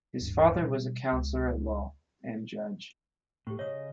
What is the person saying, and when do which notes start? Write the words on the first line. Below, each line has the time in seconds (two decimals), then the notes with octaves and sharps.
His father was a counselor-at-law and judge.
0.20 D1 G2 D4
0.57 B2 G3
1.12 C#2 G#3
3.47 A2 G4 C#6
3.59 C#3 C#5 D#5 D#6